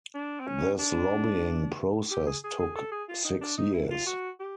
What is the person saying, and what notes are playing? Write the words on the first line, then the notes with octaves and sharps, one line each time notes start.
This lobbying process took six years.
D4
C4
C#4
D4
G4
G#4
G#4
G#4
A4
G#4
F4
D#4
D4
D#4
E4
F4
F#4
G4